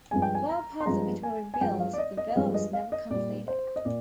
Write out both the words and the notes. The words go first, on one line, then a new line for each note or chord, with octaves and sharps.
While parts of it were rebuilt, the villa was never completed.
G2 F3 G#3 G#5
G5
G#5
A#5
C6
G2 F3 G#3 A#5
G#5
G#5
G2 F3 G#3 G5
F5
D5
D#5
D#5
D#5
G2 F3 G#3 F5
D#5
F5
D#5
A#2 G3 D5
C5
D#5
A#2 D5